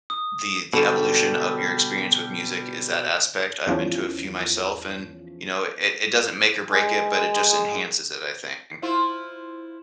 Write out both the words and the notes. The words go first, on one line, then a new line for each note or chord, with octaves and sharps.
The the evolution of your experience with music is that aspect. I've been to a few myself and, you know, it it doesn't make or break it, but it just enhances it, I think.
D#6
B2 D3 G3
E2 F3 C#4
G#3
E4 F4 C5